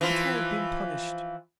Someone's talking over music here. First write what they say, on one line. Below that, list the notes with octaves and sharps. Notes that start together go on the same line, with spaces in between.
"But I have been punished."
E3 F3 F4